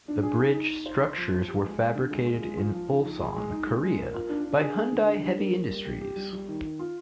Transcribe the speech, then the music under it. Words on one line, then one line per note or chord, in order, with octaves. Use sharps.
The bridge structures were fabricated in Ulsan, Korea by Hyundai Heavy Industries.
D4
G#4
D#4
D#4
D#4
C5
C5
F3
F3
G4
G#3
G#3
D3
G#3
F4
G#3
F4
F3
D#4
F3
G#4
G#3
D#4
G#3
G#3
A#3
F4
D4
D4
G#4
G#3
D3
D4
G3
A#3
A#3
G3
G4
G4
G3
G3
D#3
D#3
F4